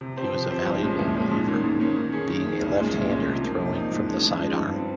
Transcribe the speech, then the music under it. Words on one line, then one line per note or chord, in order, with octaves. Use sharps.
He was a valuable reliever, being a left-hander throwing from the sidearm.
C3
F3 C4 G4 C5
C3
F3 C4 G4 C5
C2
A#2 F3 G#3 C#4
C2
A#2 F3 G#3 C#4
G#2
D#3 A#3 C#4
G#2
D#3 A#3 C#4
D#3
A#3 C#4 G#4
D#3
A#3 C#4 G#4
C2
A#2 G#3 C#4 F4
C2
A#2 G#3 C#4 F4
C3
F3 A#3 D#4
C3
F3 A#3 D#4
G#2
F3 G#3 C#4
G#2
F3 G#3 C#4
G2
G3 C4